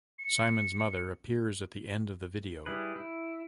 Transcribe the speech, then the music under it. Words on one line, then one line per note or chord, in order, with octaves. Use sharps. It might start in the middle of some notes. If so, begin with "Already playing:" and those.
Simon's mother appears at the end of the video.
C#7
G3 E4 G#4 B4
E4